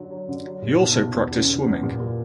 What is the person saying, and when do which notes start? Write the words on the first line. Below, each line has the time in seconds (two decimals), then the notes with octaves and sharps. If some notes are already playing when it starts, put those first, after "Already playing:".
He also practiced swimming.
Already playing: D3 F#3
0.11 F#3
0.29 D3
0.46 F#3
0.62 A#2
0.79 B1
0.97 B1
1.14 E2
1.31 C#3
1.48 C#3
1.66 E2
1.83 A#2
2.00 A#2